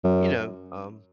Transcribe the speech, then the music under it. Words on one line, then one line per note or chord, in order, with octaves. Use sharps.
you know, um
F#2